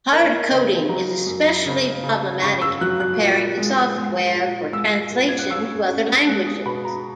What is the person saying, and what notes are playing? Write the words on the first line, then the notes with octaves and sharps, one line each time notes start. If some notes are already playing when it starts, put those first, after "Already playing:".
Hard coding is especially problematic in preparing the software for translation to other languages.
A#3 D#5
C#5
D#5
C#3 D#5
F#3 A#5
F#2
C#3
C#3
C#3 C#6
E6
F#3 F#6
F#6
A#2
G#3
G#3
A#2
G#3 E6
A#2
G#6
F#6
C#4 E6
C#4
G#3 F#6
D#6
B2 B5
A#5